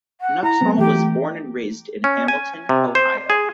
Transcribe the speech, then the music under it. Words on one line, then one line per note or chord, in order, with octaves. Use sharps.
Nuxhall was born and raised in Hamilton, Ohio.
F#5
E4 A#5
F#3 B3 C4
E3 A3 G4
C#4
G#5
C3
C5
G#4